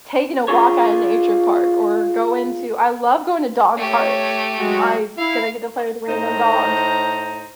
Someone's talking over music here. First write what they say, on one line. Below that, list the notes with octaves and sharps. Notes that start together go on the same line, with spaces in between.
taking a walk at a nature park or going to I love going to dog parks, I 'cause I get to play with random dogs,
F4 G#4 C#5
A3 G4 C#5
F#3 G#3 F#4
E4 F5
A2 D#4 C5 A#5